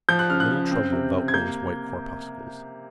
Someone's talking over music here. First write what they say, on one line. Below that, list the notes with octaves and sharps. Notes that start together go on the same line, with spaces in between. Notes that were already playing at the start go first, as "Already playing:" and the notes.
A little trouble about those white corpuscles.
F3 G6
F#6
C#3 F6
F#6
C#3
C4
C3
C3
G#6
A#3 G6